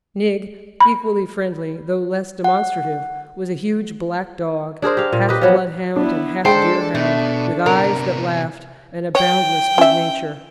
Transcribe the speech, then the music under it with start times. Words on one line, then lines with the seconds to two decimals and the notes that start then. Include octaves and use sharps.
Nig, equally friendly, though less demonstrative, was a huge black dog, half bloodhound and half deerhound, with eyes that laughed and a boundless good nature.
0.80 B5
2.44 F#5
4.82 D4 G#4 A#4 C5
4.97 G4 F5
5.13 A#2
5.29 G4 B4 D#5
5.41 F3 F#3 B3
5.96 B3 D4 E4
6.45 G#3 D4 A4 C5 G5
6.95 B2 A3
7.66 C3 B3 A#4
9.15 C#5 G5
9.78 C#4 E5